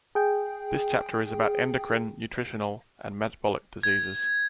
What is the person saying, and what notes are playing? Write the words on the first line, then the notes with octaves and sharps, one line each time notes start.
This chapter is about Endocrine, nutritional and metabolic diseases.
G#4 G5
G#6